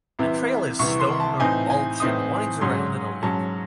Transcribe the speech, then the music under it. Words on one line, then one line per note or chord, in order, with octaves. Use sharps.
The trail is stone or mulch and winds around in a loop.
C2 C3 E3
C2 C3 E3 C#6
C6
A5
A2 E3 C4 D#4 G#5
G#5
A2 E3 C4 D#4 D#6
G#2 F#3 C#4 C6
G#2 F#3 C#4 A5